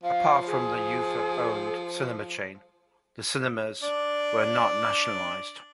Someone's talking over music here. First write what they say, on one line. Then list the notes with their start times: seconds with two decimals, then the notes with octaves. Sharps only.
Apart from the Ufa-owned cinema chain, the cinemas were not nationalized.
0.03 F3 F5
0.47 G#4
3.83 D4 D5